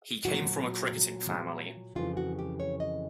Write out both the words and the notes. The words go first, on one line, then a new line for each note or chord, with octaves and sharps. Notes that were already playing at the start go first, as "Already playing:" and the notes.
He came from a cricketing family.
A#2 F#3 A#3 F#4
F2 C#3 E3 G3 F4
F#4
G4
C#5
D#5